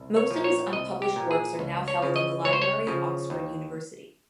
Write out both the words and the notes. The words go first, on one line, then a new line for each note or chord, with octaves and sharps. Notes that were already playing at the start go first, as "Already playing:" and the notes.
Most of his unpublished works are now held in the library of Oxford University.
Already playing: C2
C#5
A#2 F3
C#5
C2 D#5
G4
A#2 F3
G#4
C#2
C#5
C#3 F3
D#5
C#2 C#5
C5
C#5
C#3 F3
D#2